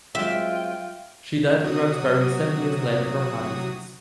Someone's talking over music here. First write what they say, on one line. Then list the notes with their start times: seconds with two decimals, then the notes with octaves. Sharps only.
She died in Roxbury seven years later from heart disease.
0.15 F#3 G#3 C4 F4 E5 G5
1.62 C3 F#3 F#4 D#6